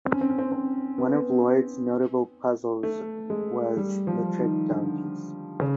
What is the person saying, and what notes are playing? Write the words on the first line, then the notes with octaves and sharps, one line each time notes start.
One of Loyd's notable puzzles was the "Trick Donkeys".
C4
C#4
C4
C#4
C4
C4
B3
A3
G#3
G3
F3
D#3
D3
C#3